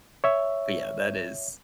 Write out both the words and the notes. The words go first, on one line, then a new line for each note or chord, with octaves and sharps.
but, yeah, that is
C#5 E5